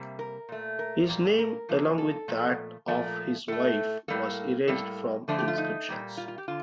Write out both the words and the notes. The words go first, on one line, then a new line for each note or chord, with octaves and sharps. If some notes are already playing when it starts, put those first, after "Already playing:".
His name, along with that of his wife, was erased from inscriptions.
Already playing: C3 G3 A#3
A#4
A#2 A3
A#4
A#2 G3 A#3
A#4
C3 F3 A#3
A4
A#2 F3 A3
A#2 F3 A3 A#4
A2 A3 A4
A2 G3 A#3 A4
A2 G3 A#3 A4
D3 F3 A3 D4
G4
F4
D#4
A#2 G3 A#3
F4
F4
G4
D3 F4